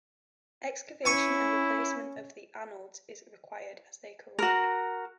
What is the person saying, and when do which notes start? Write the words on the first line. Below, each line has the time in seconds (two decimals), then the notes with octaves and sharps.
Excavation and replacement of the anodes is required as they corrode.
1.05 C#4 E4 G#5 C#6
4.39 F#4 A#4